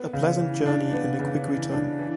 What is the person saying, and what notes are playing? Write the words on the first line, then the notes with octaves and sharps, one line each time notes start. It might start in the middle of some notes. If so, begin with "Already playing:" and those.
A pleasant journey and a quick return.
Already playing: B3
C#3
E3
D4
B3
C#3
E3
D4
E3